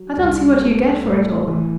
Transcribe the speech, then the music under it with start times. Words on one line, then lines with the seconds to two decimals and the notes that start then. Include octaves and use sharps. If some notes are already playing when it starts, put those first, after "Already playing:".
"I don't see what you get for it all."
Already playing: F#3
0.17 C2
0.61 A3
1.04 A2
1.48 E3